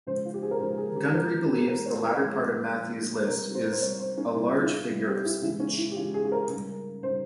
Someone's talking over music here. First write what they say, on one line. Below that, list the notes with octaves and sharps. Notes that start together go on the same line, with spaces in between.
Gundry believes the latter part of Matthew's list is "a large figure of speech".
C#3 F3 G#3 C5
F4
G4
G#4
A#4
C#3 F3 G#3 C5
G#4
G4
C3 E3 G#3 A#4
G4
G#4
C3 E3 G#3 A#4
C#5
A#4
A#4
A#2 F3 G#3 G#4
A#2 F3 G#3
C3 G3 A#4
C5
C5
C3 G3 C#5
C5
C#4
C3 G3 E4
F4
E4
C3 G3
G4
E4
C#3 E3 G#3 E4
C#4
E4
G4
C#3 E3 G#3 F4
G#4
G#4
A#4
C#3 G3
C#3 G3 C5